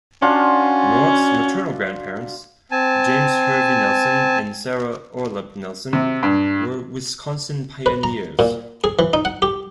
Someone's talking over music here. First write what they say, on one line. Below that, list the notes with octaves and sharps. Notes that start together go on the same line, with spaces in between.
North's maternal grandparents, James Hervey Nelson and Sarah Orelup Nelson, were Wisconsin pioneers.
C#4 D4 F4 F#4
C4 G#5 A5
C3
G2
B4
A#5
A#2
G#4
E3
D#4
F#5
G4